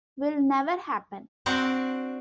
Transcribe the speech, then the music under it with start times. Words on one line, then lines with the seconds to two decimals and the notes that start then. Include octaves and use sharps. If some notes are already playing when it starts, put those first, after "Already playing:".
Will never happen.
1.46 C4 D4 F#4 D5 F#5